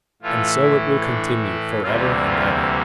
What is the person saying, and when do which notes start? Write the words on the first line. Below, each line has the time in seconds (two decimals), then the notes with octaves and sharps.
And so it will continue for ever and ever.
0.22 A2 E3 A3 F4
0.62 E4
1.02 D4
1.42 E4
1.82 D2 C3 E3 G3 A#3 F4
2.23 F4